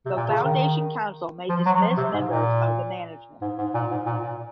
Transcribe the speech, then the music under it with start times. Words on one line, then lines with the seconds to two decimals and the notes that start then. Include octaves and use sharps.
The Foundation Council may dismiss members of the management.
0.06 C3
0.17 A#2
0.30 C#3
0.42 D#3
1.49 F3
1.66 F#3
1.81 F3
1.97 C3
2.14 G#2
2.29 A#2
3.42 G#2
3.58 G#2
3.74 A#2
3.91 G#2
4.06 A#2
4.23 A#2